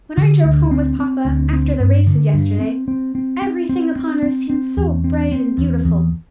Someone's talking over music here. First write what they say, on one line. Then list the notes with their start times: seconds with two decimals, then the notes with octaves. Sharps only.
When I drove home with papa, after the races yesterday, everything upon earth seemed so bright and beautiful.
0.17 D3
0.45 D2
0.71 C4
0.99 C4
1.25 D2
1.53 C4
1.80 G2
2.07 D3
2.34 G2
2.60 C4
2.88 C4
3.15 C4
3.42 C4
3.69 C4
3.96 C4
4.23 C4
4.50 C4
4.77 E2
5.04 C4
5.32 C4
5.58 E2
5.85 E2